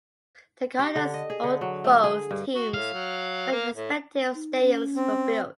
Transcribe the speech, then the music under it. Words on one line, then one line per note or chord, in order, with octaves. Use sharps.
The Cardinals owned both teams when the respective stadiums were built.
G4
D3
D#5
G#4
D3
F#3
A3
G#4
G2
F#4
A2 F5
F#3
A#3
A2
D#4
C#4
C4